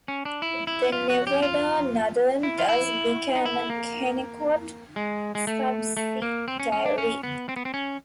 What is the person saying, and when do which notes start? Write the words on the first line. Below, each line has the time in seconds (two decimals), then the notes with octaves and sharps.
The Nevada Northern thus became a Kennecott subsidiary.
0.08 C#4
0.25 D4
0.42 E4
0.67 E4
0.92 F4
1.10 F#4
1.27 G4
1.42 F4
2.43 E4
2.58 F4
2.69 E4
3.36 D#4
3.45 E4
3.70 A#3
4.96 G#3
5.35 G#3
5.47 A3
5.97 A3
6.22 A#3
6.48 C4
6.60 C#4
6.72 C#4
6.86 D4
6.98 C#4
7.23 B3
7.49 C4
7.56 B3
7.65 C4
7.74 C#4